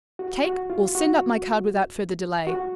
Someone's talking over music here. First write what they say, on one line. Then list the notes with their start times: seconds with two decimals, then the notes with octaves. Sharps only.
Take or send up my card without further delay.
0.19 F#4
0.44 F#4
0.70 F4
0.95 F#4
2.47 F#4